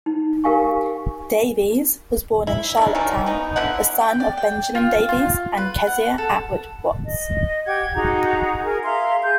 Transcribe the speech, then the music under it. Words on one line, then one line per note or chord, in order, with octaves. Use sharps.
Davies was born in Charlottetown, the son of Benjamin Davies and Kezia Attwood Watts.
D#4
G4 A#4 F5 G#5 C#6
E4
D#3 G3 D4
D#3 E3 F#3 A3
B3 D#4
D3 B3 E4 F#5
G5
D5
G5
F4
F5
F4
B4
F#5
A4
D#5
G4 F#5 G5 G#6
D#4 F#4 G#4 A#5
G#4 A#4
E5 F5 A#5 C6
G#4 G6